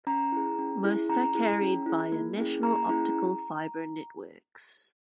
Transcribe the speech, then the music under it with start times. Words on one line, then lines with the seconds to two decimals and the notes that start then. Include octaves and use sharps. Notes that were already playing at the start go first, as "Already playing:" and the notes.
Most are carried via national optical fibre networks.
0.07 C#4 A#5
0.32 E4 G#4
0.59 C#4
0.84 E4 G#4
1.09 C#4 A#5
1.35 E4 G#4
1.61 C#4
1.86 E4 G#4
2.12 A#3
2.38 C#4 E4 G#4
2.63 A#3 A#5
2.89 C#4 E4 G#4